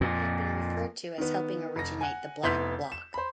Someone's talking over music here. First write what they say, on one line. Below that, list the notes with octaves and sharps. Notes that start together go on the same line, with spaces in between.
They have been referred to as helping originate the Black Bloc.
F2 A#2
D#3 B3
F1 A#6
F#5 G#5
F1 B3 E4 C6 G6 B6
E7
C5 B5